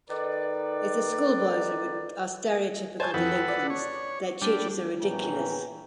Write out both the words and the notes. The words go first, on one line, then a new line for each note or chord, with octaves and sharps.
If the schoolboys are stereotypical delinquents, their teachers are ridiculous.
D#3 D#4 A4 B4 D5
C5 C#5 G#5 A5 G6
F2 E3 A4 B4 F#5
D5
C#5
G3 D4
A#1 E2 E3 C#4 G5 A#5